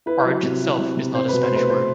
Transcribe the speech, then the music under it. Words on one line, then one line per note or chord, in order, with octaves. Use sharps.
"Orange" itself is not a Spanish word.
E4 B4
F#3
C3
E4
C3
C3
C4 C5
B4
B2
C5
A3 B4
C5